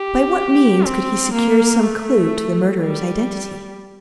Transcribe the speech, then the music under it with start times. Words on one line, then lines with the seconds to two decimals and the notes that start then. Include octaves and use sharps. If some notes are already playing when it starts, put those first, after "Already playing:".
By what means could he secure some clue to the murderer's identity?
Already playing: G4
0.85 C4
1.33 A#3
1.83 A3
2.80 G3